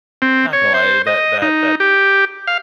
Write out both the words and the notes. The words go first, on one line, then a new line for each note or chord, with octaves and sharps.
Not gonna lie, that that that
C4
C#5
C5
D#5
D#4
G4
F5